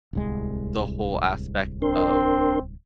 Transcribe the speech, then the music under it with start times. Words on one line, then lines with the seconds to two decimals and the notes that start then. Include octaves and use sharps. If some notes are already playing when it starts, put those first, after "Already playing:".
the whole aspect of
0.13 D1 C2 G#3
1.82 C4 D4 A#4 C6